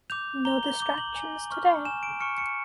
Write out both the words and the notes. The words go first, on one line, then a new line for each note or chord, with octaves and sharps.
No distractions today.
D6 G6 F7
A#5 G7
G7
D6 G6 G7
F#7
G#5
C#6 F6
G#5 E7
D7
C#6 F6 C#7
C#7